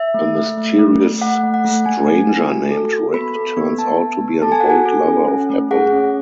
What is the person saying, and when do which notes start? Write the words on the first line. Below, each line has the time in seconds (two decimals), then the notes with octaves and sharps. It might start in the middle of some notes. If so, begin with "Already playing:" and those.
A mysterious stranger named Rick turns out to be an old lover of Apple.
Already playing: E5
0.14 A3
0.36 A3
0.58 A3
0.79 A3
1.00 A3
1.22 A3 F#5
1.43 A3
1.54 F#5
1.65 A3
1.86 A3 G#5
2.07 A3
2.29 E4
2.50 F#4
2.71 A4
2.93 F#4
3.14 B3 B5
3.35 A4
3.57 B3
3.78 B3 A5
4.00 B3
4.21 B3
4.42 A4 A5
4.52 G#5
4.60 F#4 F#5
4.70 G#5
4.85 A4
5.07 C#4
5.28 C#4
5.50 A3
5.71 G#4 F#5
5.92 C#4